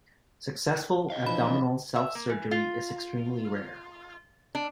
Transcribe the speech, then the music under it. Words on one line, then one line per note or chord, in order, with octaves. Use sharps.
Successful abdominal self-surgery is extremely rare.
D#5 F5
E3 F3 D4 B5
E5
A#3
E3
F4
D4